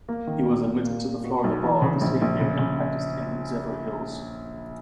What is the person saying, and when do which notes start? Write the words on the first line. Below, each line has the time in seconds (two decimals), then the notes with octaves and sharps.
He was admitted to the Florida bar the same year and practiced in Zephyrhills.
0.09 A#3
0.27 D#3
0.47 A#2
0.66 A#2
0.85 A#3
1.05 A#3
1.24 B2
1.44 B1
1.63 E3
1.82 C#3
2.01 A#1
2.21 A#1
2.40 C#3
2.59 C#3